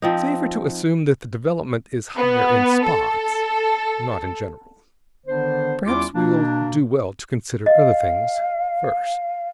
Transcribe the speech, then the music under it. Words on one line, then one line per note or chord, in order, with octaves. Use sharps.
Safer to assume that the development is higher in spots, not in general. Perhaps we'll do well to consider other things first.
F3 C4 D#4
B3
A4
D3 D#3 B3 D4 C5
E2 G3 C#4 E4 F4 D6
B2 A#3 D4
D#5 F5